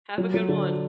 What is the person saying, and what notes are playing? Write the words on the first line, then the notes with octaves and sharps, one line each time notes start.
Have a good one.
F#3
F#3
D3